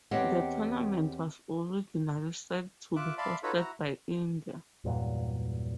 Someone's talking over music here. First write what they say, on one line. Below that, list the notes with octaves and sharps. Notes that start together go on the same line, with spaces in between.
The tournament was originally set to be hosted by India.
E2 C4 G4 C#5 D#5 F#5
F4 E5 D6 F#6
D5 E5 F5 A5 B5 C6
D#4 F4 F#4 A4 B4 C#5
E4 F#4 A#5
E2 G2 A#2 F#3